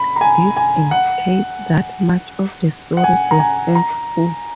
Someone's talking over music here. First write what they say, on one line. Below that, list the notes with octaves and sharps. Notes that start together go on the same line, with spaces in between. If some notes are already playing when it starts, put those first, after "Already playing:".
This indicates that much of the stories were fanciful.
Already playing: B5
A#5
G#5
G#5
F#5
F#5
G#5
A#5
G#5
A#5